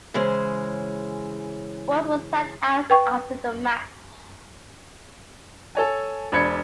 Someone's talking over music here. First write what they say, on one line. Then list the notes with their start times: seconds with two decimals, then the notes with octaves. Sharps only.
Walls was sacked hours after the match.
0.14 C#3 E3 G#3 C#4 C5
2.90 B4 G5 C#6
5.75 A4 C#5 G#5
6.32 E1 D4 C5 B5 G#6 C#7